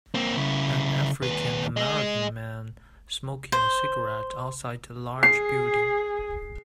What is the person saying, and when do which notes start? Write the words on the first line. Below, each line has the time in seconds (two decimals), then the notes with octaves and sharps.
An African American man smoking a cigarette outside a large building.
0.14 A#3 C4
0.37 C#3 E4
1.22 D#2 B4
1.77 G#4 D#5
3.52 C5
5.23 G#4 C7